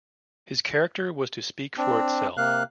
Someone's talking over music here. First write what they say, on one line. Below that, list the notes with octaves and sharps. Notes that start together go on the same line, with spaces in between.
His character was to speak for itself.
C4 D4
C3 A#3 F5 F#6